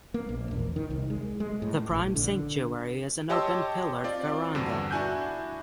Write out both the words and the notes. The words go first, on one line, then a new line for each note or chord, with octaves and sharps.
The prime sanctuary is an open pillared veranda.
A#3
A#1
E1
D#3
C2
G#3
G#3
A2
A#1
D3
G4 C#5 D#5 A5 C6 E6
C4 F4 D5
E2 G2 B2 D3
D4 E4 F#4 G#5 F#6 G6